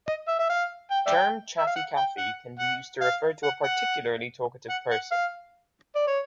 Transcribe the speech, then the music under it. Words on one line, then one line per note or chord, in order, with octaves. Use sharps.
Term "Chatty Cathy" can be used to refer to a particularly talkative person.
D#5
E5
E5
F5
G5
D5 E5 G5
E5
F5
F#5
G5
F#5
F#5
F5
F#5
F#5
F#5
F#5
F5
D5
C#5